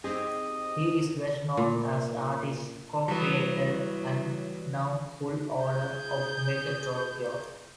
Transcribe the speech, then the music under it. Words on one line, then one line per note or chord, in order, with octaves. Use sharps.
He is best known as the artist, co-creator, and now full owner of "Megatokyo".
C4 D#4 G4 G#4 D#5
A#2
E3 F#3 G3 B3 E4 C#5
G#4 G6